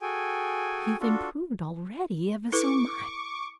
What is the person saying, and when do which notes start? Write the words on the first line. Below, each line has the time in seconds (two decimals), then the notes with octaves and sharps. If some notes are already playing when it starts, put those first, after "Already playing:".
You've improved already, ever so much.
0.01 F#4 G#4 A4 G5 G#5
1.00 D4 F4 F#4 A4
2.52 E4 A4 B4 C#6 D6